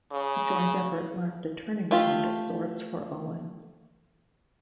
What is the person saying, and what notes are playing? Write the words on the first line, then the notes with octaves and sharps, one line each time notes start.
The joint effort marked a turning point of sorts for Owen.
C#3
A3 F4 G4